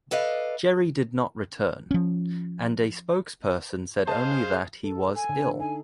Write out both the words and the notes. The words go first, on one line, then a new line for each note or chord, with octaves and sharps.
Gerry did not return, and a spokesperson said only that he was "ill".
A4 B4 D5 D#5 F5
F3 C#4
G#4 C5 D#5 F5 A5
A4
G#5
D3
D#4 G#5